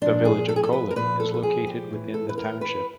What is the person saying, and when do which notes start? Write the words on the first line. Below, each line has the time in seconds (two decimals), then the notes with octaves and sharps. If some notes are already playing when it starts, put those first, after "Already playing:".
The village of Colon is located within the township.
0.01 A#2 F3 D4
0.25 G#4
0.49 A4
0.56 G#4
0.64 A4
0.73 B4
0.91 A#4
0.96 A#2 F3 B4
1.20 A4
1.34 A4
1.43 G#4
1.67 G4
1.91 A2 E3
2.14 A4
2.29 B4
2.38 A#4
2.61 B4